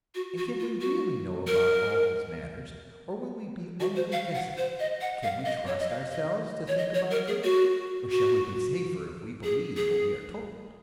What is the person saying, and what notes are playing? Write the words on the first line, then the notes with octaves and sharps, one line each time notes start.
And can we really know about all these matters, or will we be only guessing? Can we trust ourselves to think about them, or shall we be safer if we believe what we are told?
F#4
F#4
F4
F#4
A#4
F#4
C5
F5
F#5
C5
D#5
F#5
F5
D#5
C#5
D#5
F5
D#5
C#5
D#5
C#5
A#4
G#4
F#4
F#4
G#4
G#4